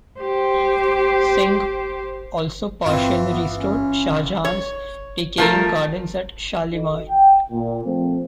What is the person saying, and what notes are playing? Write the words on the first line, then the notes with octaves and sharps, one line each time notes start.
Singh also partially restored Shah Jahan's decaying gardens at Shalimar.
G4 C5
G2 E3 C4 F4
B3
C#4
F1
C#5
F3 A3 A#4
D#4 F#4 A4 D#5
G5
A#2
F3 A3 C4